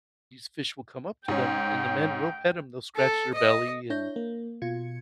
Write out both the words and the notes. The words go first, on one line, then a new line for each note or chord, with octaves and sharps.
these fish will come up to them and the men will pet them, they'll scratch their belly and
G#2 C#4 G5
A4
D#5
D4 E4 C#5 G6 A#6
A#3
B2 F4 G#6 C#7